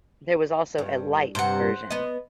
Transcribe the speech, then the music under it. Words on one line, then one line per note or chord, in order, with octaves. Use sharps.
There was also a "light" version.
G2
G2 C3 C5 F#5
B3 D#5